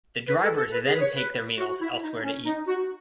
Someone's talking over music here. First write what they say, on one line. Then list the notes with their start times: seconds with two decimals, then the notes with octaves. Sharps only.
The drivers then take their meals elsewhere to eat.
0.28 B4
0.43 A4
0.57 A4
0.72 B4
0.86 G#4
0.94 B4
1.00 C#5
1.14 B4
1.58 F#4
1.81 E4
2.02 D#4
2.23 C#4
2.45 D#4
2.67 F#4